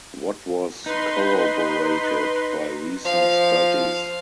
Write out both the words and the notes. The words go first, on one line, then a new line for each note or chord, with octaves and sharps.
What was corroborated by recent studies.
D#4 B4 C6
F3 F5